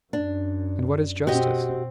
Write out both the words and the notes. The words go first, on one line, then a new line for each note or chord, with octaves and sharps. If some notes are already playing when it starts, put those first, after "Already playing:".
And what is justice?
F#2 D4
B2 C4 F#4 G4 D#5